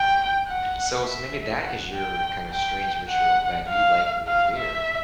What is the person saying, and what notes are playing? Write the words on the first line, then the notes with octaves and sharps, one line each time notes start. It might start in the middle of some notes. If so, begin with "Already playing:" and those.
So, it's gonna be that is your, kinda strange, ritual that you like warm beer,
Already playing: G5
F#5
E5
F#5
G5
G5
F#5
F5
F5
E5